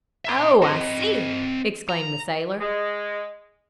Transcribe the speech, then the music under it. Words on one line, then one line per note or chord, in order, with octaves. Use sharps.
"Oh, I see!" exclaimed the sailor.
E5 C6
C4 D#5
A#5
G#3